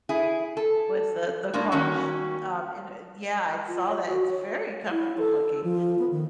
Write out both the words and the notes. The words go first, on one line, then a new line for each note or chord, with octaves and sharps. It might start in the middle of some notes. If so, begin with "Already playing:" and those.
with the the crotch, um, and and yeah. I saw that, it's very comfortable looking!
E4 G#4
A4
A2 G#3 A#3 D4 D5
D#3 G3 A#3 C#4 F#4
F4
C#5
F#4
C#5
E4
A4
F3
B3
D#3